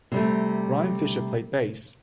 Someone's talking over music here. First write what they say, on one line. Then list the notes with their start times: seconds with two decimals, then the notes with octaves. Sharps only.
Ryan Fisher played bass.
0.12 C3 G3 A3